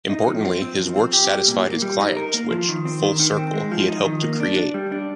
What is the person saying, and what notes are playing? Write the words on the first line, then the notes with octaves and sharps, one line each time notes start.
Importantly, his works satisfied his clients, which, full-circle, he had helped to create.
D#4
F3
C4
C4
F3
C4
G4
G3
A#2
A#3
G3
D#4
A#4
A#3
F3
D#3
C4
D#3
D#3
C4
G#3
F3
D#4
D#3
A#3
D4
D4
G3
D4